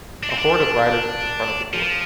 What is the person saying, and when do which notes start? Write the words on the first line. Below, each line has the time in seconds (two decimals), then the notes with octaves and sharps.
A horde of riders was in front of the door.
0.23 D4
0.31 C4
0.38 D4
1.73 F3